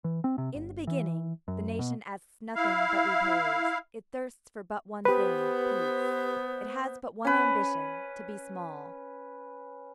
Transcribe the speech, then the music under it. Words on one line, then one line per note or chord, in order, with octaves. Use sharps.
In the beginning, the nation asks nothing but repose; it thirsts for but one thing, peace; it has but one ambition, to be small.
E3
C4
C3
G1
E3
F#2
B2
E4 F5
B3 G4 B4 C5
C#4 B4